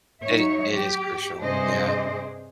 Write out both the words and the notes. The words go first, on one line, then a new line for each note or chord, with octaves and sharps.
It i it is crucial. Yeah.
F#3 D#4 C#5 E5
G4
G2 C3 D4 G#4 C5 D#5